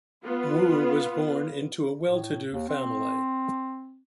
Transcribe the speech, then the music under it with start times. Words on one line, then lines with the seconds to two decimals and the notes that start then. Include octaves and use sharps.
Wu was born into a well-to-do family.
0.24 B3 F4
2.08 A2
2.53 D#2
2.68 C4